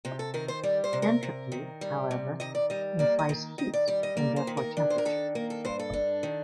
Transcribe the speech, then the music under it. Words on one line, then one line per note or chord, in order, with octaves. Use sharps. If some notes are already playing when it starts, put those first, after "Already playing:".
Entropy, however, implies heat and therefore temperature.
C3 G4
A4
D#3 A#4
C5
G3 D5
C5
C3
A#4
C3
D#3
G3
C3
D#3 D#5
D5
G3 D#5
A#3 D5
D#5
D#3
D#3 D#5
D5
G3 D5
D#5
A#3 D5
C5
D#3
A#4
D4
C5
A#4
D#3 A4
A#3 A#4
A4
G2 C5
A4
D4
D#3